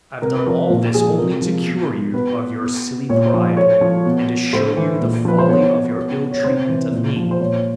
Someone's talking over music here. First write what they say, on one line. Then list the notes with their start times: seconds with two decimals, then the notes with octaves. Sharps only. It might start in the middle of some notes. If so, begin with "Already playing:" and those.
I have done all this only to cure you of your silly pride, and to show you the folly of your ill-treatment of me.
0.22 C3 A#4
0.35 B4
0.46 F3 A#4
0.70 A#2
0.94 F3 G#4
1.06 A4
1.18 C3 A#4
1.42 F3
1.66 B2
2.14 B2 B4
2.61 B2
3.09 A#2 C#5
3.26 C5
3.34 F3
3.42 C5
3.57 A2 C#5
3.81 F3
4.05 B2
4.53 A2 C5
4.77 E3
5.01 A#2
5.25 F3 B4
5.39 C5
5.48 B2 C#5
5.96 B2
6.31 C#5
6.44 C3 C5
6.69 E3
6.92 A#2
7.16 F3
7.31 C5
7.40 A#2 C#5